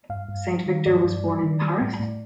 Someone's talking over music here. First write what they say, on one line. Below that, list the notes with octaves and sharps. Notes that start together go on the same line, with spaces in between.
Saint-Victor was born in Paris.
G2 F5
G2
G3
D#3
G2 D5
G2
G3
D#3
G3
A2
A2